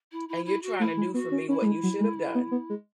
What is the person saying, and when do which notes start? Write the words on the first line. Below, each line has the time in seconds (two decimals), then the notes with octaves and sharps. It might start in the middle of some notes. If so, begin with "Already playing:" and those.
and you're trying to do for me what you should have done
0.12 E4
0.29 E4
0.45 E4
0.63 F#4
0.80 A3 E4
0.97 G#3
1.14 B3 F#4
1.32 C#4
1.48 C#4 E4
1.62 A3
1.66 G#3
1.83 F#3
2.00 G#3
2.35 B3
2.51 B3
2.70 G#3